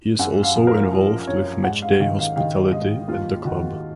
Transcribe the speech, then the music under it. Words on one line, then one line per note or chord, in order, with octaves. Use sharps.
He is also involved with matchday hospitality at the club.
F#2 F#5
F5
F3
A#4
F3
F#2 C#5
G#2 F#5
F5
D#3 F5
F5
D#3 F5
G#2 D#5
D#2 F4
D#3 F#4